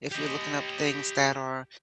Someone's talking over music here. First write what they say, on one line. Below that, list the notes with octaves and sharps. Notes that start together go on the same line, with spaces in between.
if you're looking up things that are
G4 D#5